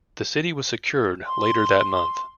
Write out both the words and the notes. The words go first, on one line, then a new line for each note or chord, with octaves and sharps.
The city was secured later that month.
C6